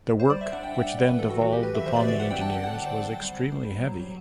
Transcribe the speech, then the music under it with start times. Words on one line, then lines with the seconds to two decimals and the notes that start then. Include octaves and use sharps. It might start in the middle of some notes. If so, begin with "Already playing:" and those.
The work which then devolved upon the engineers was extremely heavy.
0.20 C5
0.30 G3 D5
0.41 E5
0.52 D4 F#5
0.63 G5
0.75 D4 F#5
0.86 F#5
0.97 G3 D5
1.08 B4
1.19 E3 A4
1.30 F#4
1.41 E3 F#4
1.52 G4
1.63 E3 B4
1.75 E5
1.85 E3 C5
1.96 D5
2.08 D3 D5
2.20 F#5
2.31 C4 G5
2.41 A5
2.53 D3 G5
2.64 F#5
2.75 F#3 D5
2.86 C5
2.98 C4
3.19 G3
3.41 G3
3.64 G3
3.86 F#3